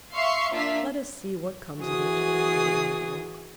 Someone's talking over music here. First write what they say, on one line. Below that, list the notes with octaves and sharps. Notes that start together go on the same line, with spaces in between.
"Let us see what comes of it," said the Old Oak.
E5 F5 C6 C#6 C7
A#3 D4 F4 E5 F5 B6
E3 F#4 G#4 D#6